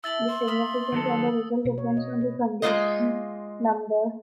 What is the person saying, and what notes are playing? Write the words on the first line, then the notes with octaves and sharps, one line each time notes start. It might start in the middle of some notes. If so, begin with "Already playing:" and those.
The significance of the result depends on the condition number.
E4 E5 A5 E6 A6 F#7
C5 C6
E5 B5 D#6 F6
D#3 F#3 A4
B2
C#5
D#5
B4
G#3 A#3 D#4 F4 C5 D#5